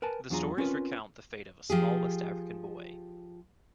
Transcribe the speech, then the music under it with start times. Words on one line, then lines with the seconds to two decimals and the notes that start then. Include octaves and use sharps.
The stories recount the fate of a small West African boy.
0.02 A#4 B4 G#5 A5
0.30 E2 F#3 D4 F4 G#4 A#5
0.57 C4 C#4 F4 A#4 B4
1.70 F3 G4 G#4